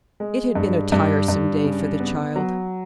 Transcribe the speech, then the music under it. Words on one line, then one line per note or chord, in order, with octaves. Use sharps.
It had been a tiresome day for the child.
G#3
G2
G2
G2
C#3
B3
F#3